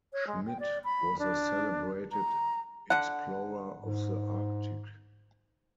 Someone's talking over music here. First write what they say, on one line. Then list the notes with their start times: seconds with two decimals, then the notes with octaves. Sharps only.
Schmidt was a celebrated explorer of the Arctic.
0.13 C#5
0.27 G#3
0.47 G5
0.60 D5
0.84 B5
1.19 D4
2.12 A#5
2.90 D3 F#5
3.80 G#2